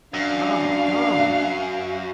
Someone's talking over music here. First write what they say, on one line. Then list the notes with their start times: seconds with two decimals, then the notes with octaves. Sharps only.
"Come, come!"
0.14 F#2 D4 F5